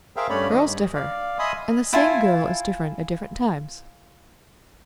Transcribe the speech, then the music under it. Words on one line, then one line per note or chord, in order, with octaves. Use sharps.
Girls differ; and the same girl is different at different times.
G#4 A#4 C5 E5 F5 G5
G2 A3 C#4 C#5 D5 B5
D#3 D#5
G2
D5 F5
D#5 E5 G#5 B5 C6 D#6
E4 F4 G#5 A5